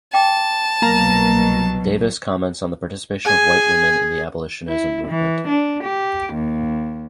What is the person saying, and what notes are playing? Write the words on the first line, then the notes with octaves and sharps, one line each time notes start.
Davis comments on the participation of white women in the abolitionism movement.
G5 A5 D6
C2 B2 F#3 A#3 A#5
G#4 G#5
E4
E3
D4
G4
D#2